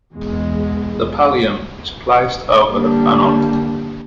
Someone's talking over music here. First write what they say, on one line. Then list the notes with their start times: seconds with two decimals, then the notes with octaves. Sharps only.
The pallium is placed over the fanon.
0.12 E2 B2 G#3
2.69 D3 G3 A#3 D4